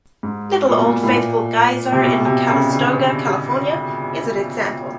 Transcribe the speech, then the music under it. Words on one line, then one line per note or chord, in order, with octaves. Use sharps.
Little Old Faithful Geyser, in Calistoga, California, is an example.
G#2
A#2
B2
A#2
A2
A#2
C3
B2
C3
C#3
D3